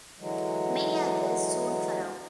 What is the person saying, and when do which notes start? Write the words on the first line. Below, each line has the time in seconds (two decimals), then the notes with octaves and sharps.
Many others soon followed.
0.19 D3 E3 F#3 G#3